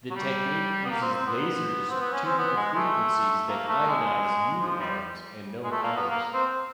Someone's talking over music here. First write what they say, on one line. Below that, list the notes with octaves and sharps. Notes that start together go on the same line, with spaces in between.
The technique uses lasers tuned to frequencies that ionize U atoms and no others.
F#3
G3
B3
A#3
C4
C4
B3
C4
B3
C#4
C4
B3
G#3
A3
A#3
A3
G#3
F3
G3
G#3
A3
A#3
B3
A#3
C4